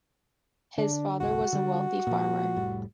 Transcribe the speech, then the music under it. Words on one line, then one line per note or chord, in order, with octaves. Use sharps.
His father was a wealthy farmer.
D3 D4
G1 C2 F#4
D3 G3
A#2 F3
F1 A2 G3